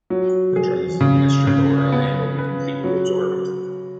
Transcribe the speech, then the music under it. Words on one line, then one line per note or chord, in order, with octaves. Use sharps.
The drug is administered orally and will be completely absorbed.
F#3
G#4
C#3
C#3
B3
B4
F#3